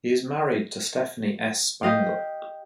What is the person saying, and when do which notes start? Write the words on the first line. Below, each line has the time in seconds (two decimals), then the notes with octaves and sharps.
He is married to Stephanie S. Spangler.
1.83 G4 D#5 F5